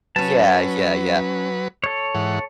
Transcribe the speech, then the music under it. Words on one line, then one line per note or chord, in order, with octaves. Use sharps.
Yeah, yeah, yeah.
F#3 C#4 B4 A5
A4 C#5
G#2 E3 F#5